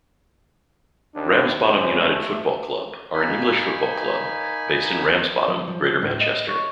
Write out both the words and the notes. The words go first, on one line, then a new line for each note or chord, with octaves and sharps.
Ramsbottom United Football Club are an English football club based in Ramsbottom, Greater Manchester.
D#2 D4
C#2 C5
A3
A#3 D#4 G#5 B5
F3
F3
A2
D#5
C#5